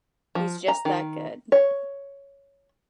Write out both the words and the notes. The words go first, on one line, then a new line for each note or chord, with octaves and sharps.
He's just that good.
F3
A#5
D#3
C#5